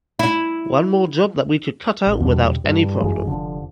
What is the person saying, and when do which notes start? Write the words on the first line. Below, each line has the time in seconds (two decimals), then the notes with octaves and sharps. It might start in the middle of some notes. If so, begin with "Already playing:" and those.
One more job that we could cut out without any problem.
0.19 E4
2.07 A1
2.20 E2 B2 D3 G3
2.64 G2
3.01 G1 F#2 E3 G#3
3.27 F1 D3 F3